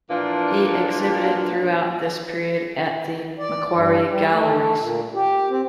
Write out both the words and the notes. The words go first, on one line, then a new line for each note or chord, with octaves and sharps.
He exhibited throughout this period at the Macquarie Galleries.
A#2 E3 F3 A#3 D4
D5
G2
G3
A3
A#2
G4
C4